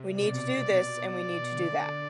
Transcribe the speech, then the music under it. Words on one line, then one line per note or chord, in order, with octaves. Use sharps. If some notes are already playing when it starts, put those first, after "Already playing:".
We need to do this and we need to do that.
Already playing: C3
B2 D5
B2
B2 D5
D3